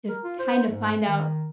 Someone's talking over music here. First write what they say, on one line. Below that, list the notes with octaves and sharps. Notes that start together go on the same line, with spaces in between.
if kinda find out
A#4
F4
C5
G#2
D#3